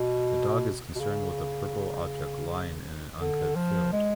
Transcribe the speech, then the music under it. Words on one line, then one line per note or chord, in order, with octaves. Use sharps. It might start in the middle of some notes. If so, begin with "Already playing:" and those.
The dog is concerned with a purple object lying in an uncut field.
Already playing: B2
B2
C#3
D3
F3
G#3